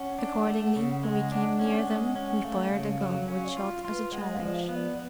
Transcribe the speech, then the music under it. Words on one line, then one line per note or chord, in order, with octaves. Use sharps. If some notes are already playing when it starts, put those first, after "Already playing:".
Accordingly, when we came near them, we fired a gun with shot as a challenge.
Already playing: C#4 F#5
D4
A3
C#3
G#3
D4
C#4
G#3
C#4
A3 F5
C#3
F#3
C#4 F5
D5
F5
F4
F4
B4
G#3 F#5
F#5
F5
F3
D5
F5
B3
D5